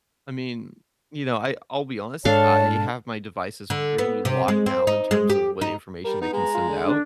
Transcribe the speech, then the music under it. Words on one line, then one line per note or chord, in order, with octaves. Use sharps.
I mean, you know, I I'll be honest, I have my devices pretty locked down in terms of what information they can send out.
G#2 D4 A4 C#5 F5 A5
D3
B3
C3
G#3
C4
D#4
G#3
G4
D#4
G3 A#4
B3 D#4
G#3 A#5
F4
D3
D4